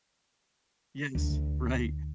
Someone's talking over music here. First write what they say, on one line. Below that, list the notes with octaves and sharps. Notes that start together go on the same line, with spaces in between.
Yes, right.
D2